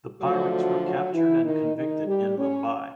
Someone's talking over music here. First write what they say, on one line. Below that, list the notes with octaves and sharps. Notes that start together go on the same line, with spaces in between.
The pirates were captured and convicted in Mumbai.
D2 D3 F3 F#3 A3 F#4
F#3 F#4
F#3 F#4
E3 E4
D#3 D#4
D#3 D#4
G3 G4
C#4 C#5